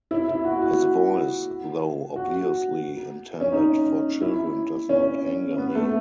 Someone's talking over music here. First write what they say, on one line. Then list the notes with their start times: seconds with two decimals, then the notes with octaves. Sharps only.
His voice, though obviously intended for children, does not anger me.
0.11 E4
0.28 E4
0.44 F#4
0.62 F#4
2.16 F#4
3.41 C#4
3.52 D#4
4.21 E4
4.89 C#4
5.58 B3
5.75 A3